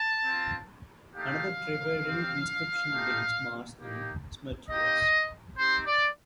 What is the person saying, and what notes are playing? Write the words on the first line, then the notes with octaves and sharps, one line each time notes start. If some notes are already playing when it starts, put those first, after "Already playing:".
Another Treveran inscription links Mars and Smertrius.
Already playing: A5
C4 F4
A3 D#4 G4 F5
C4 G4
A3 D#4 G4
A#3 D#4 G4
A#3 D#4 G4 D#5
C4 D#4 G4 C5
D5